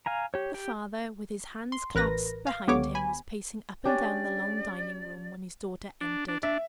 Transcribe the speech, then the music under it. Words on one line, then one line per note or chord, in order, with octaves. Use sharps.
The father, with his hands clasped behind him, was pacing up and down the long dining room when his daughter entered.
F5 G#5 A#5
G4 C#5
G4 G5
C6
A1 A#4 B4 A#6
F5
C#2 D3 B3 G4 C#5 D6
G#5 B5
C#4 D4 G4 D5
D4
D4
D4 E5